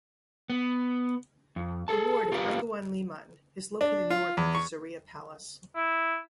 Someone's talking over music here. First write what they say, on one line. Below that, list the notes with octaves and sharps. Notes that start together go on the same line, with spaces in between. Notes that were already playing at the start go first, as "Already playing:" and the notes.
The ward of Anguwan Liman is located north of the Zaria palace.
B3
F2
G#4 A4 A5
F4 G4 A#4 B4 F5
D4
F4
E2
C#6
E4